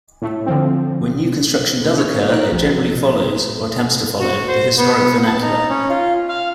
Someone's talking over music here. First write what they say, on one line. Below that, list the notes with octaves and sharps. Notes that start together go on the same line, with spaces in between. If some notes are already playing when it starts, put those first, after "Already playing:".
When new construction does occur, it generally follows-or attempts to follow-the historic vernacular.
A2 A3
D3 F3 C4
D#2
C#5
A#2
D#4 A#4 F#6
F1 A#1 F2
F#3
F#4
C5
B3
A5
D#4
C#4
F4
F5